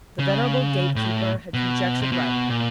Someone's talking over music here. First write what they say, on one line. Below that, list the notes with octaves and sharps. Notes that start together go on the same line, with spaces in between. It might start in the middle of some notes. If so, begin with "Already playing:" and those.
The venerable gate-keeper had conjectured right.
C#3
A2
B2
C3
B2
A#2